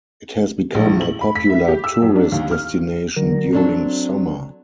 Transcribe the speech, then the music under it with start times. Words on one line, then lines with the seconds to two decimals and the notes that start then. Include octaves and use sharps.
It has become a popular tourist destination during summer.
0.75 A#1
0.87 E3
1.01 F#7
1.21 B5
1.35 B6
1.50 E5
1.68 G4
1.84 E6
2.02 F#2
2.16 D4
2.32 D#2
2.51 F6
3.16 D3 F#3 A#4
3.53 F#3 C4 D4 A4